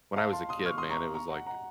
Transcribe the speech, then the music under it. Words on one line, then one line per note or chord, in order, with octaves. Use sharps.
when I was a kid, man, it was, like,
F5 A5
A5 C6
C6 D#6
C#6 F6
C6 D#6
A#5 C#6
A#5 C#6
F#5 A#5
F#5 A#5